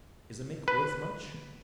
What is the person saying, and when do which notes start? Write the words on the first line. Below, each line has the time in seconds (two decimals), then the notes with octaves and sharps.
"Is a mink worth much?"
0.68 B4